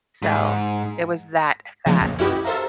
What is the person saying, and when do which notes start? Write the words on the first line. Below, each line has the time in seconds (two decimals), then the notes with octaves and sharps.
So it was that fat.
0.22 G#2
1.86 C#3 F3 G#3 A#3
2.01 B1 F#2
2.19 C#4 E4 F#4 G4 B4 D#5
2.45 A4 A#4 C5 E5 F5 A#5